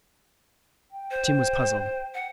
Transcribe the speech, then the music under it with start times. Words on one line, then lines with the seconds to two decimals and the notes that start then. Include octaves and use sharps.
Tim was puzzled.
0.92 G5
1.11 C5
2.14 F#5